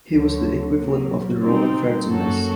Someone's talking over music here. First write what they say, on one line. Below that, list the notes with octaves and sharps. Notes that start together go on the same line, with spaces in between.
He was the equivalent of the Roman Vertumnus.
D2 D3 F#3 A3
C3 F#3 A#3
G3 C4 D#4
F#2 F#3 A#3 F#4 A4